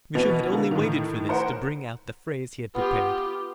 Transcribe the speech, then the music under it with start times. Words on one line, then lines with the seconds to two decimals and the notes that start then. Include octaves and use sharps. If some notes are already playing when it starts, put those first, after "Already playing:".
Michaud had only waited for this to bring out the phrase he had prepared.
0.15 B2 E3 B3 F#4 A6 F7
0.52 D3 A#3
0.71 A2 D#3
1.29 A#4 C5 C#5 F#5
2.75 B3 F4 G4